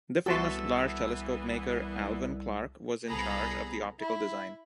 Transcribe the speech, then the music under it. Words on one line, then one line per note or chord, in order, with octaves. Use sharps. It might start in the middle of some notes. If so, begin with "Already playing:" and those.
The famous large telescope maker Alvan Clark was in charge of the optical design.
C2 E3 B3 F#4 A4 E5 A5 C6
C2 B3 G#4 A4 A#5 B5
E4